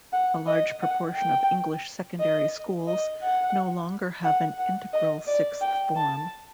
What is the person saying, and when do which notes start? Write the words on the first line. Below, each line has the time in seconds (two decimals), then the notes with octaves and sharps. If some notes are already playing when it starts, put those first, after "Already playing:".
A large proportion of English secondary schools no longer have an integral sixth form.
0.12 F#5
0.47 D#5
0.82 F#5
1.15 G5
2.19 D#5
2.87 D#5
3.22 F#5
4.24 F#5
4.58 F#5
4.93 D#5
5.27 D5
5.61 G5
5.96 A5